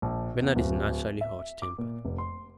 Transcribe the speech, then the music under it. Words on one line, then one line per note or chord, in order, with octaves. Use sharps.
"Bernard is naturally hot tempered."
A#1
E2
D1
E5
D6
A#2
F1
C6